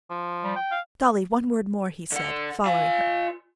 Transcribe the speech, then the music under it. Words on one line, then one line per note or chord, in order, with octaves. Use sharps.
"Dolly, one word more," he said, following her.
F3
G3
G5
F5
D3 F#5
F4 F5 G#5